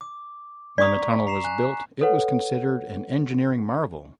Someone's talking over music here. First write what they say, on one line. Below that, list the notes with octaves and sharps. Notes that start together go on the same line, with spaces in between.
When the tunnel was built, it was considered an engineering marvel.
D6
D5 A#5 C#6 D#6 B6
A#5 C7 E7
G#5 F#6
A4 B4 C#5 F#5